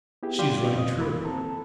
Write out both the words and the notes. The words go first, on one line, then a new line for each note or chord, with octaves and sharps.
She is running true!
B3 E4 G4 G#4
G3 F#4 G4 D5 F5 C6
F2 B2 C4 D#5 D#6
E3 A#3 B5
C4 A4 A5 A#5